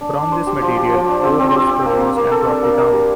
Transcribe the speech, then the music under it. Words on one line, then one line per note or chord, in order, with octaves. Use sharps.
From this material, ore was produced and brought to town.
D4
D4
C5
G4
F3
G4
F3
D4
C4
C4
G4
C4
A#3
A#3
A#3
A4
D4
A#3
A#3
G3